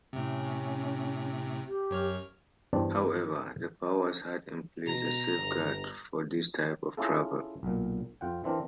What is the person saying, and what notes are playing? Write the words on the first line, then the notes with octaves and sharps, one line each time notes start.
However, the Powers had in place a safeguard for this type of travel.
A2 C3 C#4
G4
F#2 C#5 F6
E2 G2 C4 D4 D5
B2 A#5
G1
C#4 E4 F4 G#4 A4
B1 A#2
F2 F4 F#5 G5
E3 C4 D4 A#4